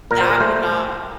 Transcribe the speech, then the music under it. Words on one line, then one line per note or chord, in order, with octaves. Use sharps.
That would not
A#2 A#4
C5
A#4
A3 C5